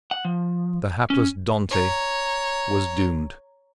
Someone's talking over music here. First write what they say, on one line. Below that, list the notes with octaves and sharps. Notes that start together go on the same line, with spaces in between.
The hapless Dantes was doomed.
F#5
F3
C#4
C#5 A#5